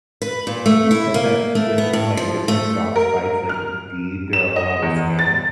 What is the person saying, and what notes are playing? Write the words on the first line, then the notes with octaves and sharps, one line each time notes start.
you said that with, like, different job sites like Indeed, there are a lotta scams.
B4
A#2
A3
E4
A#3
A3
B3
A2
F3
A3
A#4
F6
E7
D#5
E2
A6